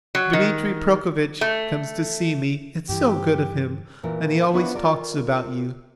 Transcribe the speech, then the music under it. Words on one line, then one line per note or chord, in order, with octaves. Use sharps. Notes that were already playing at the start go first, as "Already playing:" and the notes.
Dmitri Prokofitch comes to see me, it's so good of him, and he always talks about you.
F#3
D#3
A3
G2 E3 G4
A#2 E3 A#4
B3 D4 E4 F4 C5 C#5
F4 A4 A#4 D5